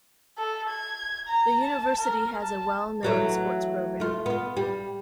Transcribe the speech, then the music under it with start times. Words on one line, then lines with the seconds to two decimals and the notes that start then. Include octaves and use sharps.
The university has a well known sports program.
0.38 A4
0.69 G#6
1.28 A#5
1.61 A5
2.01 A#4
2.42 A5
3.03 E3 F#3 A3
4.00 A3 F4
4.26 B3 F4
4.57 G3